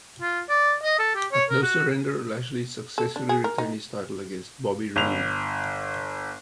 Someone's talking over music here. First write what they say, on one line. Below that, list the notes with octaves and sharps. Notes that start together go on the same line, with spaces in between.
At No Surrender, Lashley successfully retained his title against Bobby Roode.
F4
D5
D#5
A4
G4
C#5
A#4
F#4
A4
D4
G#4
A#4
D#4
G1 F7